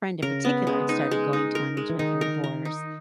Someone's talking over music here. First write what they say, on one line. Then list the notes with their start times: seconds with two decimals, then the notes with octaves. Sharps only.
friend in particular started going to one which went through a divorce,
0.22 C#3 A#4
0.45 B3
0.67 G#3
0.89 D#4
1.11 G#3
1.33 D#4
1.55 A#4
1.77 G#3
1.89 E3
1.99 D#3 D#4
2.21 A#4
2.44 A#4
2.65 D#4